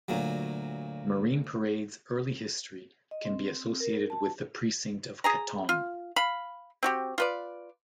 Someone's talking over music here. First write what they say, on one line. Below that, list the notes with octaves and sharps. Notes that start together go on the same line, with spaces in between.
Marine Parade's early history can be associated with the precinct of Katong.
D2 A#2 F#3
D#5
C4
A#4
A5
G#4 G#5 A#5
F4
F5 B5
C4 F#4 G4
F4 B4 D5